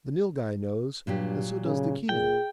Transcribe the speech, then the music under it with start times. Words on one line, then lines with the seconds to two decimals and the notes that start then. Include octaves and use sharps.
'The Nilghai knows, and so does the Keneu.
1.07 G2 A#2 F#3 G4
1.64 C#3
2.09 A#2 G#4 G5